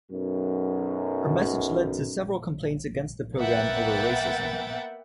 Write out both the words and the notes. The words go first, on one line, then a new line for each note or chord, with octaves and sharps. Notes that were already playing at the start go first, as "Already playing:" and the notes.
Her message led to several complaints against the programme over racism.
B1 F#2
A#3 B3 E5 F#5 G5 A6